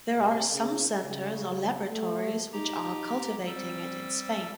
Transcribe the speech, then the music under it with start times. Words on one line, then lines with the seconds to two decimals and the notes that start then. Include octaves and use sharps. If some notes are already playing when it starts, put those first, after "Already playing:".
There are some centers or laboratories which are cultivating it in Spain.
0.17 C3
0.52 C#3
1.02 C#3
1.91 A3
2.53 D#4 G4 A#5
3.47 G3 C4 E6